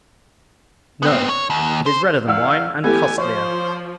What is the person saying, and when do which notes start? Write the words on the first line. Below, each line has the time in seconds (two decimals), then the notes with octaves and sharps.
No! It is redder than wine, and costlier.
1.03 B3 C4
1.29 C#5
1.50 D#2
1.86 C5
2.28 E2 F5 F#5 E6
2.84 E3 A3 B3 G4 G#5
3.18 F3 C5 C#5